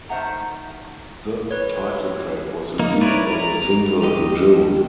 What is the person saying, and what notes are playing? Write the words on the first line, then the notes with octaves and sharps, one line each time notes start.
The title track was released as a single in June.
D#3 A3 C5 E5 F#5 A#5
B4 C#5
A#3 D#4
E4 A#4 B4 C#5 D5
A#5
G4 D#5